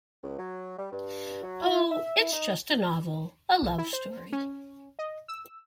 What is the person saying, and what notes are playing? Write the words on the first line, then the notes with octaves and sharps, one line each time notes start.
Oh, it's just a novel, a love story.
C#2
F#3
G3
G2
F#3
E4
E5
E4
D#4
B1
E4
C5
C#4
D#5
E6